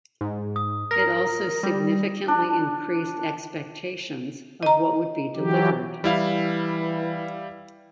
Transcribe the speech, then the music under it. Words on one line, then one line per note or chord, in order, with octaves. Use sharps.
It also significantly increased expectations of what would be delivered.
G#2
D#6
A#4 A#6
G3
D4
D#5 A#5
E3 F#3 G4
E3 G3 E4 F5